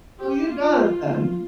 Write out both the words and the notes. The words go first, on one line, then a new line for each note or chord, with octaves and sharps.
Oh, you got it then.
G4
F4